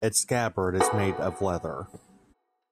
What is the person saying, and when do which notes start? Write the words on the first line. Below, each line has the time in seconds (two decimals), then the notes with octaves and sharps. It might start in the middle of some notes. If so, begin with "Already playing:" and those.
Its scabbard is made of leather.
0.80 F#4 B4 F#5